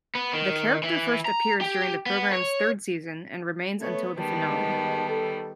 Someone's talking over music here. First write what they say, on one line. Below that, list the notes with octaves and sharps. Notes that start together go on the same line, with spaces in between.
The character first appears during the program's third season and remains until the finale.
B3
D#3
E3
A#5
G4
B3
C#5
A3 B3 C#5
G#2 D#3 G3 G#3 B3 A5
A4